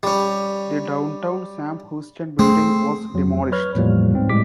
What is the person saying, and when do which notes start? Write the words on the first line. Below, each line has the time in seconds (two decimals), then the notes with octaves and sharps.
The Downtown Sam Houston building was demolished.
0.03 G3 C#4
2.39 A3 C4 G#4
3.14 F2 F#3
3.52 B4 C#5 F6
3.75 E2 A2 F3 G3 A#3
4.12 C#2 G#2 C4
4.29 A2 G3 G#3 D6 B6